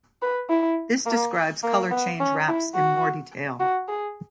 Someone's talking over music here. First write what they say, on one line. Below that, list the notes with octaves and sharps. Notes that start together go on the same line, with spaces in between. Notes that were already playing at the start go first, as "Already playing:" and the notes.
This describes Color Change Wraps in more detail.
B4
E4
A#3
A#3
B3
C#4
E4
F#4
F#4
G#4